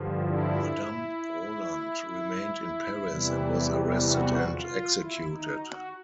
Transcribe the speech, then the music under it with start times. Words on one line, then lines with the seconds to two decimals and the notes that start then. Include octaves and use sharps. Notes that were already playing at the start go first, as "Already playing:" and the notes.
Madame Roland remained in Paris and was arrested and executed.
Already playing: G2 D3 F3
0.22 E4
3.07 E2 C3 E3 G3
4.01 F#4
4.50 F4
4.96 E4
5.28 D#4
5.60 F#4